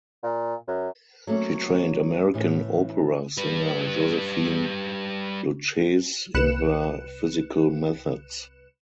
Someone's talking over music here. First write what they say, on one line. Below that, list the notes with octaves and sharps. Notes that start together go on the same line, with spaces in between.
She trained American opera singer Josephine Lucchese in her physical methods.
A#2
F#2
F#3 A3 A#3 C#4
A2 E3
G3 B4
C2 B4 F#6 C#7 E7